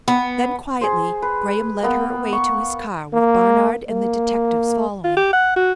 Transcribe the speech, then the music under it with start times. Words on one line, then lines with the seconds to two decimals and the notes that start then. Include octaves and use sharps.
Then, quietly, Graham led her away to his car with Barnard and the detectives following.
0.08 B3
0.81 G#4 C5
1.22 B4
1.83 A#3 B3 G5
2.33 C#6
3.13 A#3
3.89 A#3
5.04 F4
5.17 G4
5.33 F#5
5.56 F#4